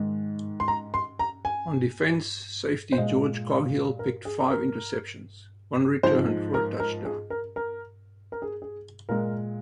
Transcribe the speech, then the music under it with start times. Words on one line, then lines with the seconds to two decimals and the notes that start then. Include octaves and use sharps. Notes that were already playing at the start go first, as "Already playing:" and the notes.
On defense, safety George Coghill picked five interceptions, one returned for a touchdown.
Already playing: G#2 D#3 G#3
0.60 C6
0.68 A#5
0.94 C6
1.19 A#5
1.45 G#5
2.92 C5
2.98 A#2 G#3 D#5
3.99 A#4
4.25 G#4
4.50 A#4
6.03 G#2 F3 G#3 C5
6.54 A#4
6.80 A#4
7.05 G#4
7.30 A#4
7.56 A#4
8.32 A#4
8.42 G#4
8.62 G#4
9.09 A#2 G#3 A#4